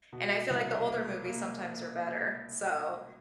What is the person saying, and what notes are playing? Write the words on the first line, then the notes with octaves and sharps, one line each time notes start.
and I feel like the older movies sometimes are better, so
B2
C2
A#3
A#3